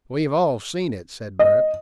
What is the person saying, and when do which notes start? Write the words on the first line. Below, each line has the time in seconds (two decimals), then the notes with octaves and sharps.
"We've all seen it," said Bert.
1.39 D#5